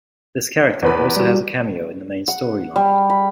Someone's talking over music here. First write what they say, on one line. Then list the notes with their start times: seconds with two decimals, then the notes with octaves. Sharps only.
This character also has a cameo in the main storyline.
0.83 E2 B4 B5
1.16 G3 F#4
2.28 F#5
2.76 G3
3.10 B5